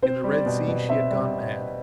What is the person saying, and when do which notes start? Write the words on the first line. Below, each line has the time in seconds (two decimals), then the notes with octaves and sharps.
In the Red Sea she had gone mad.
0.02 C4 C5
0.24 G3
0.31 D5
0.46 B2
0.68 B2
0.88 C4 E5
1.10 G3